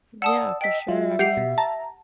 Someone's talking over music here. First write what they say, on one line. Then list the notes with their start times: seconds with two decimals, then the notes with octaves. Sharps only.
Yeah. For sure, I mean,
0.22 D5 F#5 A5 D#6 E6
0.61 D#5 G5 B6
0.88 F#3 F4 E5
1.19 G4 F#5 C7 F7
1.37 B2
1.58 A5 A#5